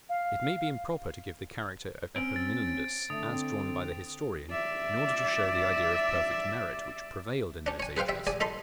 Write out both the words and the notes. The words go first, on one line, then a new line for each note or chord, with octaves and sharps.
It may be improper to give the character of Epaminondas, as drawn by the historian, in order to show the idea of perfect merit, which prevailed in those ages.
F5
C4 C#4 D7
A6
D3 A3 D#6
C4
D5 E5
C#4 D4
C#5 G#5
G#4 B4 C5 F5 G5
G3 E5
G#4 D5 G#5 D#6
D#4 A4 B5 C6